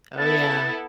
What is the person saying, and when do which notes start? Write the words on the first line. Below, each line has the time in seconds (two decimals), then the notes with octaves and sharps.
Oh, yeah.
0.18 B3 E4 A4 A6